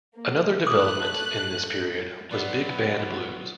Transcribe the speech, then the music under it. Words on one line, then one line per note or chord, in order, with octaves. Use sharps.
Another development in this period was big band blues.
A#3
A3 D6 D#6 F#6
F#3 B3 F4 B4 D5 E5